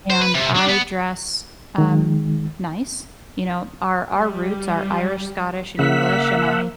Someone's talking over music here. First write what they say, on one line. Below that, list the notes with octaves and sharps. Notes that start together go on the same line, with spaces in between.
and I dress, um, nice. You know, our our roots are Irish, Scottish, and English, and I
C5
B4
C3
D4
B3
D#3 G#3
G3
C#3 A#3 E5 F#5 B6